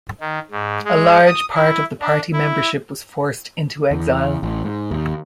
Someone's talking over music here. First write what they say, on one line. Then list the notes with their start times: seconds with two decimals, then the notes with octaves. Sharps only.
A large part of the party membership was forced into exile.
0.21 D#3
0.51 G#2
0.85 G#3
1.26 D#6
1.55 E4
2.01 D4
2.33 E4
3.91 E2
4.43 A1
4.64 G#2
4.91 D#2